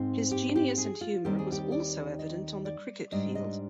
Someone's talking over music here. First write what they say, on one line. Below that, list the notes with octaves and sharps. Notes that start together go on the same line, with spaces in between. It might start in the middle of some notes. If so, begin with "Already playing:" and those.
His genius and humour was also evident on the cricket field.
Already playing: G#2 C4 D#4 C5
G4
G4
G#4
F4
D#2 D#3 G3 C4 G4
G#4
G4
D5
D#5
D5
G#2 G3 D4 D#5
D#5